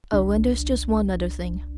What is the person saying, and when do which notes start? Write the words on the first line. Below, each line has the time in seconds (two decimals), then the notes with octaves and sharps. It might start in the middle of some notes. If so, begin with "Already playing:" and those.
Oh, and there's just one other thing.
0.13 G1 C2 D4